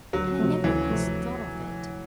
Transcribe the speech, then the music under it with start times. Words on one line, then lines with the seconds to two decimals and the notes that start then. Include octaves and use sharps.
"And I never once thought of it."
0.13 D2 F#3
0.39 C3 F3 A3
0.64 D2 E3
0.89 C3 F3 A3